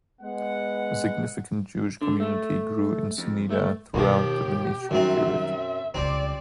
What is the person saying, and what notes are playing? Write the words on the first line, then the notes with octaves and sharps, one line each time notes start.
A significant Jewish community grew in Ceneda throughout the Venetian period.
G#3 B3 F#5
D3
A3
F2
A3
D#2 B2 F3 G4
F#2 D#3 F#3 G3 C4 E5
C#2 C#3 G3 C4 D5